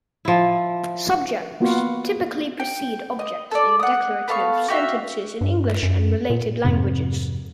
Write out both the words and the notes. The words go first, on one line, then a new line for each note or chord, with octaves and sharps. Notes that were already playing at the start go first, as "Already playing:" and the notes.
Subjects typically precede objects in declarative sentences in English and related languages.
F3 E4
A#3 B3 F4 F#4
G5
D#5
A4 D5
F#5 D#6
B3 A4 F5 C#6
F#4 G4 E5 F5
G2
F#2
A#2
F2 G#2 C3